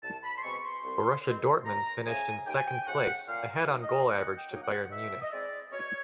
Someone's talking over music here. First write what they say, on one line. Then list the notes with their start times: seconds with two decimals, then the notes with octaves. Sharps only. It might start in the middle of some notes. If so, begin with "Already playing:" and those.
Borussia Dortmund finished in second place, ahead on goal average to Bayern Munich.
0.02 C2 A5
0.23 B5
0.37 C6
0.42 B2 G#3 C4 C#6
0.64 C6
0.84 C2
1.24 B2 G#3 C4
1.64 D#2 A#5
2.06 C#3 F3 A3 G#5
2.46 D#2 G5
2.56 G#5
2.66 G5
2.82 G5
2.87 C#3 F3 A3 F#5
3.27 A#2 F5
3.55 F5
3.68 F#3 A#3 D#4
3.82 D#5
4.09 A#2 F#5
4.37 G5
4.49 F#3 A#3 D#4
4.63 F#5
4.90 B2 E5
5.22 D#5
5.31 G#3 C4 E4 D5
5.71 B2 C#5